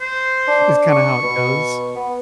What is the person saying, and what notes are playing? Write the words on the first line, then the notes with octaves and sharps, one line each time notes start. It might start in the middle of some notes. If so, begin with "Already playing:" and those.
is kinda how it goes
C5
D4
C#6
B2
B3